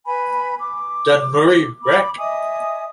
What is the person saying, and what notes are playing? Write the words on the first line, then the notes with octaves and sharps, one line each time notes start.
Dunmurry Rec.
B4 G#5 B5
D6
B5 D6
D#5 E5 G#5 D#6